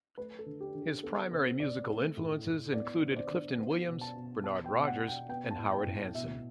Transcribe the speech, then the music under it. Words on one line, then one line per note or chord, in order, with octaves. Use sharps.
His primary musical influences included Clifton Williams, Bernard Rogers, and Howard Hanson.
A3 B4
A4
D3
G4
D3
G4
B3 A4
C3 C5
C3 D5
A3
A2
A2
B3 D5
D3
C5
D5
D3
B3 C5
B2
A5
B2
B3 A5
G5
B2
F#5
B2
G5
B3 G5
A5
A2
G5
A2
B2 E5